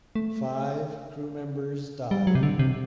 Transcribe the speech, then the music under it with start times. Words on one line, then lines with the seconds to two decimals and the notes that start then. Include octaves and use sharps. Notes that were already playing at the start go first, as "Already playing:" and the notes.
Five crew members died.
0.15 A3
2.11 G3
2.27 F#3
2.35 C3
2.43 D3
2.59 C3